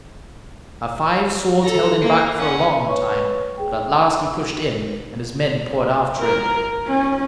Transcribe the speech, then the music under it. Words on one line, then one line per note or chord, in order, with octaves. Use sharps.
Our five swords held him back for a long time, but at last he pushed in, and his men poured after him.
A4 A#5
A#3
C#4 F#5
B4 C#5 C#6
G#4 G5
A#4
C#4